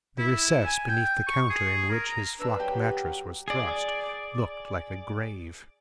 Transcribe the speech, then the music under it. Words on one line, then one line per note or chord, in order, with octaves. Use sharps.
The recess beneath the counter in which his flock mattress was thrust, looked like a grave.
E4
G#5
G5
C#6
G#4
A#4
A#5
D4 B4 E6
F#3 G4
G#4 D5